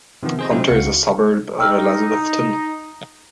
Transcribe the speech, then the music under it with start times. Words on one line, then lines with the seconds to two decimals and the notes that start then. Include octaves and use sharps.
Hunter is a suburb of Elizabethton.
0.23 C3 D#3 F3 B3
0.39 G#4 C5 D#5
0.51 F#3 C4 C#4 D#4 E4
0.68 C#2 F#4 F5 C#7
1.58 D#4 G5 E6 F6